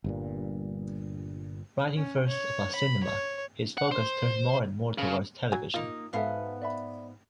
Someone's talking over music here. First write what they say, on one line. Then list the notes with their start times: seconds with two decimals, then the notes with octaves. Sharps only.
Writing first about cinema, his focus turns more and more towards television.
0.04 G1 G2 A#2
1.97 C#4
2.28 C#5
2.75 B5
3.04 C#5
3.78 F#5
3.91 C5
4.98 C#3
5.52 F#3 G#5
5.74 A#3 D#4 F4
6.13 G#2 B3 F#4 A4 E5 F5
6.61 D5 E5 B5